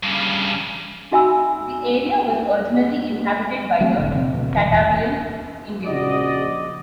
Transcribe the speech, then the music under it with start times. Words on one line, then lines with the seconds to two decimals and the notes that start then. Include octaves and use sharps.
The area was originally inhabited by the Tataviam Indians.
0.03 G2 C#3
1.12 D#4 F#4 E5 G#5 B5 E6
3.80 F#3 A3 A#3 C4
3.98 E1 A2 D3
4.15 C3 F3 C4
4.32 D2 B2
4.55 D1 B2 E3
4.72 D1 E2
5.86 A#1 C#3 F3 F#4 D5 D#5